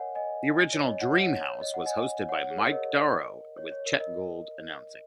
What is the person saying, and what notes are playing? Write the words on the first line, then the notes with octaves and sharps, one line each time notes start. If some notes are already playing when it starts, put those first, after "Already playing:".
The original "Dream House" was hosted by Mike Darow with Chet Gould announcing.
Already playing: A#4 C#5 D#5 F#5 G#5
D#5 G#5
C#5
D#5
C#5 F#5
C#5 F#5
C#5
D#5
F#5
D#5 G#5
C#5 F#5
G#4
A#4
C#5
A#4 D#5
C#5
C#5
A#4
A#4 D#5